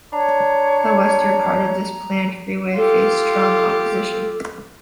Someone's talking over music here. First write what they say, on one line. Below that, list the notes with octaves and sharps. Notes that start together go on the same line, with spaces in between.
The western part of this planned freeway faced strong opposition.
D4 C#5 A#5
F4 G4 A4